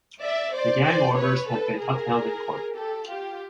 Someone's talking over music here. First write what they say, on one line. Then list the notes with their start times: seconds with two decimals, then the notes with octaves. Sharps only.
The gag orders have been upheld in court.
0.22 D5 E5
0.53 C5 D5
0.85 C5 D5
1.17 B4 C#5
1.48 A4 B4
1.80 G#4 A#4
2.75 G4 A4
3.07 F4 G4